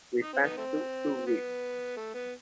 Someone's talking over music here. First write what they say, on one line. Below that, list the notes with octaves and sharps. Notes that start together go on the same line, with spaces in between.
Repairs took two weeks.
D#4
C4
B3 D#4
A3 C4
B3
A3
B3